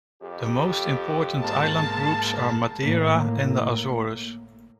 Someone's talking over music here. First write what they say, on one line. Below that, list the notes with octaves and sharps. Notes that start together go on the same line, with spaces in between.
The most important island groups are Madeira and the Azores.
F2 G4
G#2 A#3 A5
A2 A#3